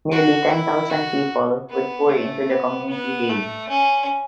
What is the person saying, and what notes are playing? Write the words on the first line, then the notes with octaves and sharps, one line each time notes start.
Nearly ten thousand people would pour into the community daily.
F#4
E4
F#4
B3
A3
B3
B3
A3
C#4